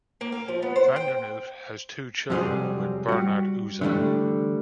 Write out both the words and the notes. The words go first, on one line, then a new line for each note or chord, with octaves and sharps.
Vandernoot has two children with Bernard Uzan.
A#3
F5
F3
B3
C5
G5
F2 C3 F#3 G3 G#4 C5
G3 F#4
D3 E3 F3 G3 A3